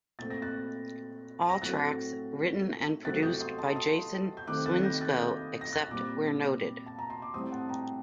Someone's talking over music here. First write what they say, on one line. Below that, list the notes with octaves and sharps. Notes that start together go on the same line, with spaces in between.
All tracks written and produced by Jason Swinscoe, except where noted.
A#2 A3 C4 A6
A#6
F#6 A6
A#6
A2 F#3 A3 C4 F#6 A6
C3 F#3 A3 C4 F#6 A6
D#6 G6
C6 D#6
A5 C6
C6 D#6
G6
C3 D#3 A3 C4 D6 F#6
F#6 A6
G6 A#6
F#6 A6
D#6 G6
A#6
F#6 A6
A#2 G3 C4 D6 F#6
A5
A#5
C6
D6
A2 G3 C4 C6 D#6
F#5 A5
G5 A#5